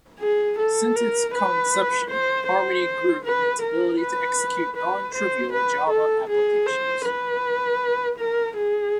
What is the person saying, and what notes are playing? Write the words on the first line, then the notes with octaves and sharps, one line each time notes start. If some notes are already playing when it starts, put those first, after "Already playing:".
Since its conception, Harmony grew in its ability to execute non-trivial Java applications.
G#4
A4
A#4
B4
C5
C5
B4
A#4
B4
B4
C5
B4
A4
G#4
C5
B4
A#4
G#4